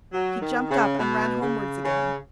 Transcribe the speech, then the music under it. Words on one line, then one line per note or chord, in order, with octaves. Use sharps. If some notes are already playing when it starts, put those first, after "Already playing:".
He jumped up and ran homewards again.
F#3
D#3
C#3
B2
C#3
C#3